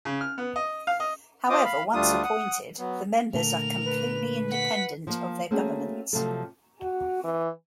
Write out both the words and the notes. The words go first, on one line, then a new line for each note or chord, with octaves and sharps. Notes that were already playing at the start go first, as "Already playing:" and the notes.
However, once appointed, the members are completely independent of their governments.
C#3
F6
B3
D#5
F5
D#5
F4 C5 D#5 D6 D#6
F5 B5
D2 G3 A3 D4 F4 D#6
F#5 D#6
F#3 B3
A#2 D3 A3 A#4 F7
B4
F#5 B6
F3 A#3
A3 A#3 C4 C#4 F#4 G#4
C3 F3 F#3 A3 A4
F#4
E3